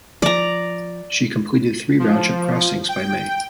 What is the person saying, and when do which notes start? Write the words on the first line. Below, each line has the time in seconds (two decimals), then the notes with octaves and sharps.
She completed three round-trip crossings by May.
0.22 F3 D5 A#5
2.00 F3
2.89 G5